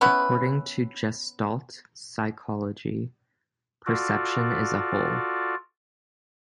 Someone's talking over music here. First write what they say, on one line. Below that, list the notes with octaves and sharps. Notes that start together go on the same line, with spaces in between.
According to Gestalt psychology, perception is a whole.
B3 C#4 E4 B4
F4 F#4 A4 D5